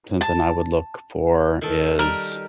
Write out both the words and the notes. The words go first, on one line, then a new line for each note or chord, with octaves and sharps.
something I would look for is
A5
D#3 A4
G3 A#4